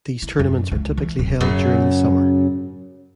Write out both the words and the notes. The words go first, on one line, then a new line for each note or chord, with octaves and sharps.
These tournaments are typically held during the summer.
E4
F#2
C#2 E4
E3
D1
F#2 C#3